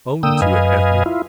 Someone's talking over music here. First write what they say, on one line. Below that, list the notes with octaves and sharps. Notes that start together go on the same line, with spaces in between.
Own to it, Ethne!
D3 A#3 G5 D#6 E6
F#2 B4 D#5 F5 G#5
E4 F4